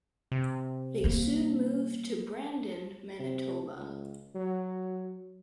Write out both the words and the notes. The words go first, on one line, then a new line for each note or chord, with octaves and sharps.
They soon moved to Brandon, Manitoba.
C3
G3 A#3
C3
C#2
F#3